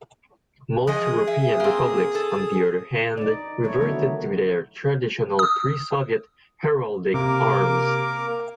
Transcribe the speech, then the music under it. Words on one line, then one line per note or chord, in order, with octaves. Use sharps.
Most European republics, on the other hand, reverted to their traditional pre-Soviet heraldic arms.
F3 G#3 G#4 D#5 D#6
E5
A#3 C4
A4
D#4 D5
D#3 E4 A4 C#5
D3 D#3 F#3 A3 B3 D#4
D#6
C3 A#3 A#4 D6